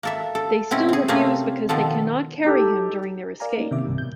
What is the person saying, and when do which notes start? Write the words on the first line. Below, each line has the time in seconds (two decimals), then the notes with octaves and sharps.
They still refuse because they cannot carry him during their escape.
0.03 A#3 A4 E5
0.35 A4
0.71 B2 C4 C#4 E4
0.89 C4 G#4
1.08 C3 A3 A#3 C4 C#4 G#4
1.69 B2 D#3 F3 A4
2.45 D#4 G4 A4
3.40 A#4 D5 F5 G#5 A#5
3.58 A#3 C#4 D#4
3.71 C3 D#3 E5 D6
3.85 C2 G2 C3
3.98 B2 G6